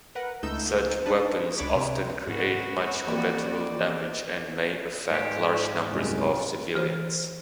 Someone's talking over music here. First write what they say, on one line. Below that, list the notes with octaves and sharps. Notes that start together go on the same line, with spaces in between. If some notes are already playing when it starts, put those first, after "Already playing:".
Such weapons often create much collateral damage and may affect large numbers of civilians.
A#4 B4 F#5
C#2 A3 D#4 E6 G6
D4 D#4 B4 A5
C#2 D4 C#5 B5 D6
C3
G#2 B3 F#4
E3 A#3 G4 D5
G#2 G4
C2 F#2 G#3
E3 C5